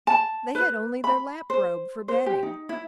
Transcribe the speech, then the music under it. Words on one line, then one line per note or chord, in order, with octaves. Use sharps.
They had only their lap-robe for bedding.
A5
B4
B5
C5
C5
G4
D#4
E4